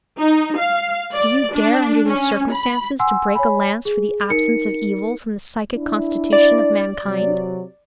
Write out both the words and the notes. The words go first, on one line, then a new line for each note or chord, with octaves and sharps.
Do you dare under these circumstances to break a lance for the absence of evil from the psychic constitution of mankind?
D#4
F5
D5
D4
C#4
B5
F#5 G#5 C6 E6
C#5 G#5 B5
G#4
D#4 A#4 C#7
D4 E4
D5
C3 F#3